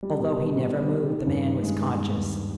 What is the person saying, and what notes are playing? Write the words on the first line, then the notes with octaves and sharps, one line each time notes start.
Although he never moved, the man was conscious.
G3
B2
B3
B2
G3
G3
D#3
G2
D#3
G#3
B3
G2
D#2